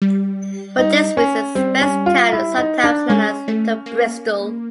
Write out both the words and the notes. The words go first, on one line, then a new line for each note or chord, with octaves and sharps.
For this reason Speightstown is sometimes known as Little Bristol.
G3
D#4
C#4
G3 C4
C#4
F4
E4
D#4
D4
G#3 C#4
A3
A#3